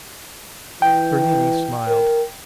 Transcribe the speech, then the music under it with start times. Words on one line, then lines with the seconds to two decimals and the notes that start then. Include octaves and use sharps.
Bernini smiled.
0.82 E3 G5
1.87 A#4